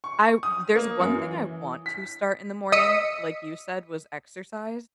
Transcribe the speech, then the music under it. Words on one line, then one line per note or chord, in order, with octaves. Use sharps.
I there's one thing I want to start in the morning, like you said, was exercise.
C#6
D#6
A#3
F#2
E3
B6
D#5 D#6 E6 B6 C#7 D#7